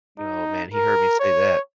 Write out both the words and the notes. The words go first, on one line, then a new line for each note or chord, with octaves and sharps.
Y oh man, he heard me say that.
D#4
A#4
C#5